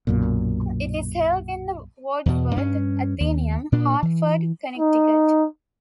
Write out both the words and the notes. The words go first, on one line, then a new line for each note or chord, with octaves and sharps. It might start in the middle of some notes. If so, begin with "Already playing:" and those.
It is held in the Wadsworth Atheneum, Hartford, Connecticut.
B1 F#2 A#2
E2 B2
G2 C#4
D#2
A#2 D4
E3
D#4